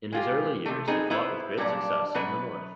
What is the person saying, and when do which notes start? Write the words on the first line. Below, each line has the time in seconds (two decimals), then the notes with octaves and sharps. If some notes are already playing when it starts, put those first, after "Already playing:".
In his early years he fought with great success in the north.
0.12 G#3 F4 G4
0.66 C3 A3
0.87 B3 C4 D#4 G#4
1.10 B3 E4 B4 C5
1.57 G2 A#2 F#3 G3 D4
2.15 F#2 B2 B3 B4